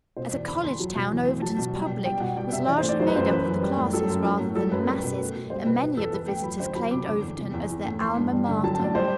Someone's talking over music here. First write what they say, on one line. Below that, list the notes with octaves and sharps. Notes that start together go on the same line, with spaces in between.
As a college town Overton's "public" was largely made up of the classes rather than the masses, and many of the visitors claimed Overton as their Alma Mater.
B2 C5
E2 D5
D3 B5
E2 C6
F#3
B2
E3
A2
F#3 A5
B2
G3
B2
G3 G5
B2 F#5
G3 G5
C3 E5
E3 D5
C5
A2
D5
F#3 C5
B4
F#2 C5
E3 B4
F#2
G3
A2
F#3 A4
F#2
F#3
A2
F#3 A4
F#2 B4
G3 B4
B2
A3
B2
G3 C5
B2 B4
B2 B4
E2 A4
E3 B4
A2 G5
F#3 B5
D3 C5
F#3 B5
C3 D6
D3 D6
E2
C3
E2
E3
A2
E3 C6
G2
G3
D3
F#3 A5
A5
A2 D5
G3 C5